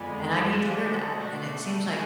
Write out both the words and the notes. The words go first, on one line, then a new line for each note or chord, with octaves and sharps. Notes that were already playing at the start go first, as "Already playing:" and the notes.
And I need to hear that, and it seems like
Already playing: F2 D3 G#3 B3
D3 F3 G#3 D4 F#4
B2 A3 D4 F#4
F3 G#3 C#4 F#4